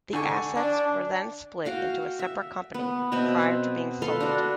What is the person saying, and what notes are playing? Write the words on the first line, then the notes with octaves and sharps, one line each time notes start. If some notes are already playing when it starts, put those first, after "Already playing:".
The assets were then split into a separate company, prior to being sold.
D3 G#5 C#6
D4
F#4 F5 G5
E5
B3
B2 B3 C4 E5
A4 B4 F5 C6
D4 F#4